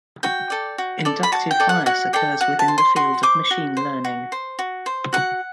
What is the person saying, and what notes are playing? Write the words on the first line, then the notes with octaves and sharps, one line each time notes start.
Inductive bias occurs within the field of machine learning.
F#4 G5
A4 D5
F#4
A4 D5
B5
F#4 A5
G5
A4 D5
F#5
F#4 F#5
A4 D5 G5
F#4 F#5
A5
C5
C6
F#4 C6
C5 D6
F#4
C5
F#4
C5
F#4
C5
F#4 F#5